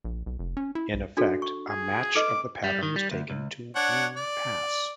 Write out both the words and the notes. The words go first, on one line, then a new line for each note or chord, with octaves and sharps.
In effect, a match of the pattern is taken to mean pass.
A#1
B1
F1
C#4
E4
B1
D4 F#4 A4
C#6
G#4
A4 B4 D#5 D6
G3
D#3
G3
D2
C#2
D4 C#5 F#5
D5